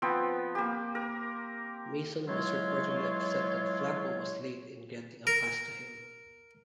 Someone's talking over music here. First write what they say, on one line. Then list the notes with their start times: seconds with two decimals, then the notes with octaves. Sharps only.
Mason was reportedly upset that Flacco was late in getting a pass to him.
0.02 F3 B3 C4 G5
0.55 A#3 G4
0.95 A#4
2.27 E3 F#3 G#3 F4 C#5
5.27 A#4